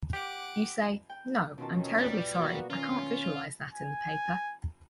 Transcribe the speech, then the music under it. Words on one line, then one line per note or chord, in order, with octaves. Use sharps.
You say, 'No, I'm terribly sorry, I can't visualise that in the paper.
G4 F#5 D6
G5
B2 D#3 C#4 F4 A5
G3 B4 D5 G5
A#3 B3 F#4
D#3 C#4 F4
G#5